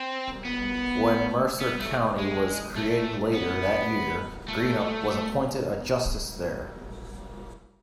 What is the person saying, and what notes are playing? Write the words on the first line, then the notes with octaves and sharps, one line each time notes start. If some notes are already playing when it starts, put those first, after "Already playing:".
When Mercer County was created later that year, Greenup was appointed a justice there.
Already playing: C4
B3
B3
A3
G#3
A3
B3
A3